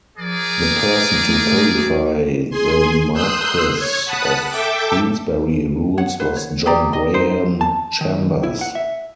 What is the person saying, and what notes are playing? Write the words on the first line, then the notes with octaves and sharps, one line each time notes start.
The person to codify the Marquess of Queensberry Rules was John Graham Chambers.
F3 G#4 A#4 D5
B4
A3
F#4
G#4 G#5 C6
C6 D#6 E6 F#6 G6
C#5 G#6
F#5 A5 B5 D#6 F#6
A4 E5 G5 D6
C#5 F#5
B4 C5 F#5
C#5
G4 G#4 D5 A#5
D#5
D#4 A#4 C5
A5
D#3
E4
F#5
E5